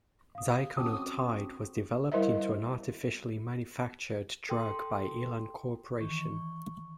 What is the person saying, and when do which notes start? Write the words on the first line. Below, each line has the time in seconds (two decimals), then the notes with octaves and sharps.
Ziconotide was developed into an artificially manufactured drug by Elan Corporation.
0.35 F5 D#6
0.77 C4 C#4 F#4 G5 A5 D6 D#6
2.12 G3 E4 A#4 C5 D#5 E5
4.49 A4 G5 C6
6.01 D#3 E3 C#6